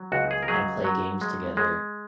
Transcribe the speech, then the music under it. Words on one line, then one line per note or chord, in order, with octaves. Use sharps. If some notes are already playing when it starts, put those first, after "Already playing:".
and play games together,
Already playing: F#3
C#2 F#4
G#4
A#4
F#3 G#4
F#3
G#3
G#3